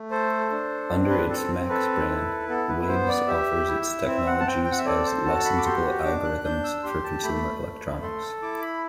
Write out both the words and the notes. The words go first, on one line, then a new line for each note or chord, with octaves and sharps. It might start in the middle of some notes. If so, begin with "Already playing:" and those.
Under its Maxx brand, Waves offers its technologies as licensable algorithms for consumer electronics.
Already playing: A3
A4 C5
D4
C4
B4
C4 A4
A4 B4
E4
B3 A4
B4
B4
B3 C5
D5
G4 E5
E4
C4 E5
F#5
A5
C4 G5
G5
F#5
E5
A4 D5
C5
F#4 A5
B5
D6
G4 C6
D4 D6
F#6
D4 G6
E6
G4 C6
A5
A3 B5
A3
A4 C6
E4 D6
B5